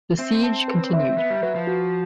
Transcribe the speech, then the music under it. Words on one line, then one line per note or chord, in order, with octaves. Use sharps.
The siege continued.
C4 E5
A5
B4
E5
B3 E5
G3
F#3 B4
F3
F#4